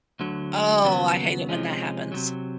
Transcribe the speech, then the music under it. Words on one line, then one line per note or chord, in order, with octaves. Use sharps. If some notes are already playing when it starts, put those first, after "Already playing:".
Oh, I hate it when that happens.
D2 D3 F#3
D#2 C#3 F#3 B3
C3 F3 G#3 C#4
C3 D#3 F#3